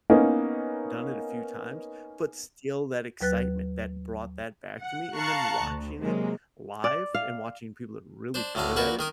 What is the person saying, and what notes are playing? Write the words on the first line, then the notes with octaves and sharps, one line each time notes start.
done it a few times, but still that excitement that brought that back to me, and then watching it live, and watching people that are really good at it,
A#3 B3 C#4 D#4
D#2 F#3 B4 F#6 A6
F#5
F5 A5 A#5 C#6 F#6
D2
C3 F#3 G#3 A#3
D5
F5
D4 C5
D2 A2 D3 A3 F5 A#5
A#2 F#4 A#4 B4
D#3 A#4 D#6